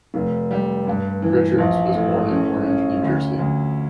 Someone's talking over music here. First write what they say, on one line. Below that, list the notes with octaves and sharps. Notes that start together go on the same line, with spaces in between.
Richards was born in Orange, New Jersey.
F1
G3
G2
E3
A#1
A2
C#4
C#4
D2
D2